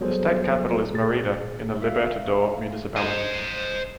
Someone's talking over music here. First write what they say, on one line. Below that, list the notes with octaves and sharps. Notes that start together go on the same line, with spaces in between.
The state capital is Mérida, in the Libertador Municipality.
F#3 G3 B3 G#4 A4 C5
A#2 G#4 A6
E5 F5
C5 D#5